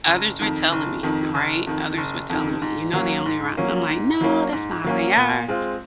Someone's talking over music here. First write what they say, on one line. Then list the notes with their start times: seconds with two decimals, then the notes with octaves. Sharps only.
Others were telling me, th right? Others were telling me, "You know they only rot" And I'm like, "No, that's not how they are."
0.07 F#1
0.40 F2 D#3
0.72 F#1
1.03 F2 D#3
1.34 F#1
1.67 F2 D#3
1.98 F#1
2.30 F2 D#3
2.62 G#2
2.93 F#3 A#3 C#4
3.26 G#2
3.57 F#3 A#3 C#4
3.89 G#2
4.21 F#3 A#3 C#4
4.53 G#2
4.84 F#3 A#3 C#4
5.17 A#2
5.48 G#3 C4 F4